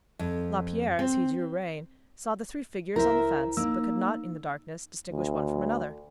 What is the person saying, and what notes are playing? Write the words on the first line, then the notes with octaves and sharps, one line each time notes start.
Lapierre, as he drew rein, saw the three figures on the fence, but could not in the darkness, distinguish one from, another.
F2
C4
C#2 E4 A#4 C5 E5 A#5
A#3 D#4 E6
D2